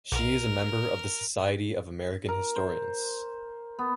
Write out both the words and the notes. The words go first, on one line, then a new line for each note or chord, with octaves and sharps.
She is a member of the Society of American Historians.
B1 A#4
A#4
C5
B3